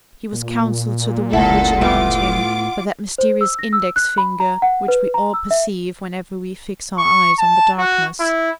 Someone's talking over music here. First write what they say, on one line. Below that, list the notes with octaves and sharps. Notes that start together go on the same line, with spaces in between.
He was counselled to the one which alarmed him by that mysterious index finger which we all perceive whenever we fix our eyes on the darkness.
A#2
F1 C#2 A#2 E4 A4 F#5
A2 A3 B3 F4 D6
C5
E6
A#6
E6
F#6
B5
A#5
F#5
B4
A#5
E6
E5
C#6
A5
F#4
E4